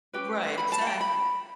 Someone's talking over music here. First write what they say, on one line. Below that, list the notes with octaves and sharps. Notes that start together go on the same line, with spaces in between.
Right, exactly.
C#4 G4 B4 G5
B5
A5
F#5
G5
B5